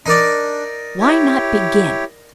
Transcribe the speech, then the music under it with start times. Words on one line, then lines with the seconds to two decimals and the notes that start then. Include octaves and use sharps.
Why not begin?
0.06 D4 D#4 A#4 D5
1.00 E4 G4 C#5